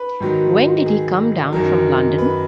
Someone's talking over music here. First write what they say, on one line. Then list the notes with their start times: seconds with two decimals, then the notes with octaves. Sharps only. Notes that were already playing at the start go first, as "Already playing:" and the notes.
When did he come down from London?
Already playing: B4
0.20 G#2 D#3 F#3
0.86 G#4
1.52 F#2 D#3 F#3 A#4
2.18 B4